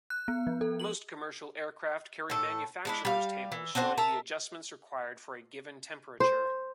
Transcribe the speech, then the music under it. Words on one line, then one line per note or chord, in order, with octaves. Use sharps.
Most commercial aircraft carry manufacturer's tables showing the adjustments required for a given temperature.
F#6
B3
F3
A4
F#7
A2 A4
G#3 D4 E4
G3 F5
E3
C4 D4 F#4 C5
A#4 E5 A5 A#5
C5